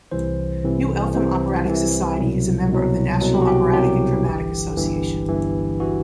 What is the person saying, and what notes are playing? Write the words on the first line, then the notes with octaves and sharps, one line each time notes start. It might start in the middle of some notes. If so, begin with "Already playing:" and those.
New Eltham Operatic Society is a member of the National Operatic and Dramatic Association.
C2 C3 E3 C5
C2 C3 E3
C2 C3 E3 C5
C2 C3 E3
C2 B2 F#3
C2 B2 F#3
C2 B2 F#3
G4
F#4
G4
C2 B2 F#3 G4
G1 G2 E3
G1 G2 E3
G1 G2 E3
E3 F#4